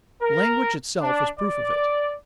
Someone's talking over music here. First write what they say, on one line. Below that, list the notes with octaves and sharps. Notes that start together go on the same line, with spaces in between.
Language itself is proof of it.
A#4
D4
D5